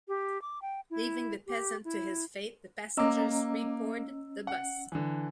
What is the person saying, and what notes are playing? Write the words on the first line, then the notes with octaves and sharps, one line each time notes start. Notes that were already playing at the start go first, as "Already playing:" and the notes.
Leaving the peasant to his fate, the passengers reboard the bus.
G4
D6
G5
E4
G4
E4
A#3 C#4 D#5 A#5 D6 E6
F#5
D3 E3